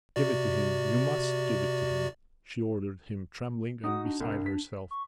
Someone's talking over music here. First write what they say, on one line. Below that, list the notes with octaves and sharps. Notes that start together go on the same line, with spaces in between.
"Give it to him, you must give it to him!" she ordered him, trembling and beside herself.
C3 F#4 D5
D#4 F#4 D#6
D4
C2
B6
C#6